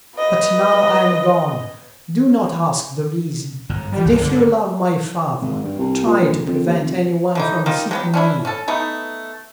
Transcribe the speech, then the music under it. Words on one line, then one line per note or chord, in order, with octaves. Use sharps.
But now I am gone. Do not ask the reason; and if you love my father, try to prevent any one from seeking me.
B4 D#5
G1 G#2
G3
G1 C2
D3
G#1
G2
C2
A#2
A#1
F2
D#2
F1
D3 E3 D#4
A#3 D#4 F4 G4
F#3 B3 G4
C#4 D4 E4
C#4 A4
A3 B3 D#4